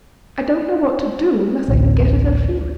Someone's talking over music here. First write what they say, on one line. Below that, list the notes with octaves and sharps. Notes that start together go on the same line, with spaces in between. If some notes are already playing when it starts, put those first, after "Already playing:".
"I don't know what to do, unless I can get at her feeling."
A1 D2